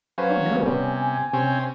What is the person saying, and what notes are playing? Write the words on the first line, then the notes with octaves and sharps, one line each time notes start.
"Oh no."
F#3 C#4 B4 C5 F5
C3 G3 B3 C#4 G#5
C3 C4 C#4